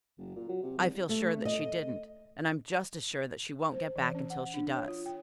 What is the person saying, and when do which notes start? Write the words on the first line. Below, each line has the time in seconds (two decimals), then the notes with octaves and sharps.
"I feel sure that she didn't, and I am just as sure that she won't get back until she does."
0.18 F#1
0.36 A#2
0.49 F#3
0.63 C3
0.78 C2
1.09 A3
1.45 D#5
3.73 C5
3.96 E3
4.15 C#4
4.30 F#5
4.54 D4
4.74 C#5
4.88 F4
5.06 G5